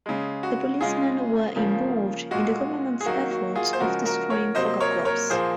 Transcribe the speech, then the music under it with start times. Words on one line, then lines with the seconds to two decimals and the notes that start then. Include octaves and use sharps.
The policemen were involved in the government's efforts of destroying coca crops.
0.06 C#3 G#3
0.43 F#4
0.81 C#3 G#3 F4 G#4
1.56 C#3 F3 A#3
2.31 A#2 G#3 F#4
3.01 G#4
3.05 D#3 F#3 A#3 F#4
3.31 F#4
3.56 F4 G#4
3.73 C5
3.80 C#3 F3 G#3 F#4 A#4
4.06 F#4 A#4
4.30 A#4 C#5
4.55 C3 F#3 A#3 C5 D#5
4.81 A#4 C#5
5.05 A#4 C#5
5.30 A#2 F3 A#3 G#4 C5